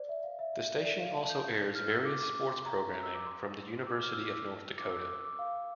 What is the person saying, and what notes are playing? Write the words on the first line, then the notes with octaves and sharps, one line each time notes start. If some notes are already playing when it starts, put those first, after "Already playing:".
The station also airs various sports programming from the University of North Dakota.
Already playing: C5 D5
E5
F5
E5
E5
D5
E5
F5
A5
G6
G6
F6
E6
D6
D6
D6
C6
A#5
E6
D6
C6
E6
D6
F6
E6
D6
E6
D6
E6
D6
E6
D6
F5